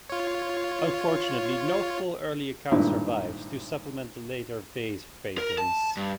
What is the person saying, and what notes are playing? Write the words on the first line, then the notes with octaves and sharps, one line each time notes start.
Unfortunately no full early account survives, to supplement the later vase-paintings.
F4 C#5
G#1 G2 A#2 E4
A#4
A5
G2